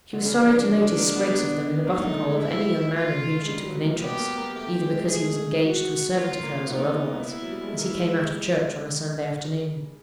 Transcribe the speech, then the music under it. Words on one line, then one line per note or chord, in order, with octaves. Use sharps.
She was sorry to notice sprigs of them in the button-hole of any young man in whom she took an interest, either because he was engaged to a servant of hers or otherwise, as he came out of church on a Sunday afternoon.
D3
C#3 D4
E3
F3
F3
F#3
G#3
A#3
B3
A#3 D#4
A#3
A3
G#3
A3 E4
F4
G#3
G3
F#3
A#3
B3 G4
A#3
A#3
A3 G4
G#3
A3
G#3 G#4
F#4
A#3 F4
A#3
B3 D#4
A#3
B3
E4
F#3
G3
G#3
A3
A#3 E4
G#3
G3